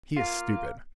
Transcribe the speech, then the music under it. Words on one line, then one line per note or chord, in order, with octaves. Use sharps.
He is stupid.
A#3 F4 F5